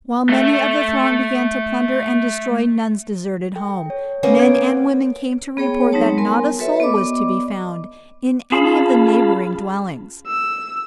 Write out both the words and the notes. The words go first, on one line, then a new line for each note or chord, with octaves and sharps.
While many of the throng began to plunder and destroy Nun's deserted home, men and women came to report that not a soul was to be found in any of the neighboring dwellings.
A3 E5
A4 G5
A4 C#5
A#3 B3 C#4 C#5
G#6 D7
B3 G#4 C#5 G5
F#3 G3 C4 D#4 C#5 A5
B3 A#4 G#5 C6
F#4 A4 B4 C#5 E5
B3 D5 D#5 D6
C#4 F4 G#4 F5 A5 B5
E6